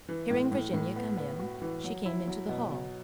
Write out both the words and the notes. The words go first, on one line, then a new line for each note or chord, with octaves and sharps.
Hearing Virginia come in, she came into the hall.
E3
A2
A2
A2
B3
B3
F#4
E3
F#3
E4
F#3
B2
F#3